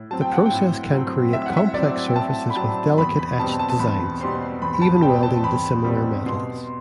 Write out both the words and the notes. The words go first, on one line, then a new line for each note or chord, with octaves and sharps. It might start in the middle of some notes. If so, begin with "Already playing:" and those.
The process can create complex surfaces with delicate etched designs, even welding dissimilar metals.
Already playing: A2
F#3 C4 A5
G5
F#5
G5
A2
F#3 C4
A2 E5
F#5
E5
F#3 C4 D5
G5
A2 A5
B5
F#3 C4 A5
E2 B5
B5
B2 G3 C4 A5
A5
A5
E2 B5
B2 G3 C4 C6
E2 B5
B5
A5
B2 G3 C4 G5
A5
E2 B5
B2 G3 C4
B2 C6